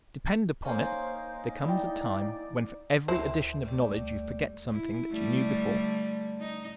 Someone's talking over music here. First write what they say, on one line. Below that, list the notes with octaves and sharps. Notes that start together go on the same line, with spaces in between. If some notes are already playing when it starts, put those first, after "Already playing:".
Depend upon it there comes a time when for every addition of knowledge you forget something that you knew before.
A#3 C#4 D#4 C5
E4 D5 G5
D2 E4 G4 A#4 C5
G3 A3
D2
E4
D3 G3 A3
D#4